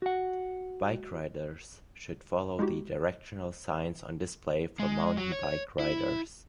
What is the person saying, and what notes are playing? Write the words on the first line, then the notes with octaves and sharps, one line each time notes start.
Bike riders should follow the directional signs on display for mountain bike riders.
F#4 F#5
G#3 D#4 E4 F#4 G4
G#3
F#3
C#5
E4